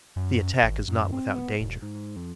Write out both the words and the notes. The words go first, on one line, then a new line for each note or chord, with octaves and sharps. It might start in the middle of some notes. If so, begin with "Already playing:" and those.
The attack is not without danger.
F#2
G#1
F#2
C4
B3
E1
G#2
G#2
F2